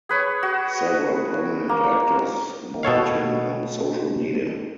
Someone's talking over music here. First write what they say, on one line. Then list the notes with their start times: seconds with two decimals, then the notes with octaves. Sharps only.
Several prominent actors mourned him on social media.
0.09 G#4 B4 C#5
0.43 F#4
1.69 A#3
2.83 B2 A4 C#5 F5